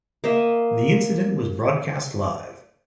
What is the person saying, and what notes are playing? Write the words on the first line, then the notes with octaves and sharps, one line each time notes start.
The incident was broadcast live.
A#3 D#5 E5